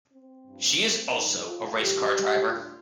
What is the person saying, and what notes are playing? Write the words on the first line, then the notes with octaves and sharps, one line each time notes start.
She is also a race car driver.
C4
G2 F3
G2 F3 D#4
F4
D#2 D#3 G3 G4
D2 D3 G3 F4